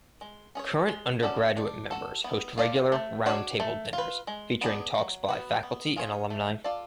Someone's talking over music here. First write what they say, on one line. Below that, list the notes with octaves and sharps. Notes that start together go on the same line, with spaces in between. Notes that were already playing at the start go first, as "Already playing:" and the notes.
Current undergraduate members host regular "Roundtable Dinners" featuring talks by faculty and alumni.
G#3
C#4 G#4 C#5
G#3
C#4 F#4 A4 D5
D4
F#4 A4
B3
F4 A4 D5
A3
D4 F#4 C#5
A3
F4
B4
G#3
B3 D4 G#4
F#3
B3 F#4 B4
B3
F4 G#4 C#5
A3
F4 A4 D5